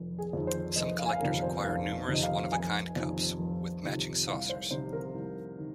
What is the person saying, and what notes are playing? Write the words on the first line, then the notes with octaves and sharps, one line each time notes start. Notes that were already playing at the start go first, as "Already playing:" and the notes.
Some collectors acquire numerous one-of-a-kind cups with matching saucers.
Already playing: F1 D#3
G#4
F2 D#3
C5
F1 D#5
F5
G#5
F5
F2 C3 D#3 A#4
C5
F1 F5
F2 C3 D#3
D#5
F5
F1 G#5
F2 C3 D#3
F1
F2 C3 D#3
C2 F5
C5
C3 D#3 C5
A#4
C2
D#3